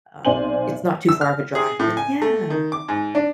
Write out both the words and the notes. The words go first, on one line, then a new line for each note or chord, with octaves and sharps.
um, it's not too far of a drive but yeah.
B1 C3 C5 D5 G#5 F#7
E6
F6
G#4
A2
G#5
A3
D#3
D6
G#2
D4